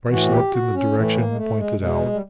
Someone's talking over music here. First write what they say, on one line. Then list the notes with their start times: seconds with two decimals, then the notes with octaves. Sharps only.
Bryce looked in the direction pointed out.
0.09 A2 E3 F#4
0.30 G4
0.52 F#4
0.74 C#4
0.94 A2 E3 A3
1.15 A#3
1.31 G#3
1.36 A3
1.58 G#3
1.78 B2 G#3
2.12 G3